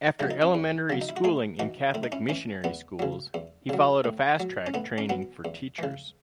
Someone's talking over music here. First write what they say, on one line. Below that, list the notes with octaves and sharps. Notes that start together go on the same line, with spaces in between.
After elementary schooling in Catholic missionary schools, he followed a fast-track training for teachers.
C#3 F#3 E4
D#4
C#4 E4
E2
C#3 F#3
D#4
E4
F#4
A2 E4 G#4
E3 D#4 F#4
A2 E4
D#4
C#4 E4
E3 C#4
E2 B3
C#3 F#3
E2
C#3 F#3
A2
F#3
C#4
A2 B3
C#4
F#3 B3
E2
C#3 E3